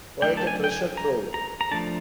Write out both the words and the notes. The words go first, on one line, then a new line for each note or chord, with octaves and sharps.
Quite a treasure-trove.
F#3 A3 D4 G5
A5
G#5
G5
G#5
A#5
A#5
A#5
F3 A3 D4 A5